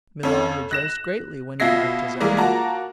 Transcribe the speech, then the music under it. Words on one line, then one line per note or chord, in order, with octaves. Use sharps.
Milon rejoiced greatly when he marked his own.
F2 C#4
F#6 A#6 E7
B2 F4 E5 G#6 A#6 C7
E3 G3 G#3 A#3 G#4 A#4
A#3 F4 F#4 A5 A#5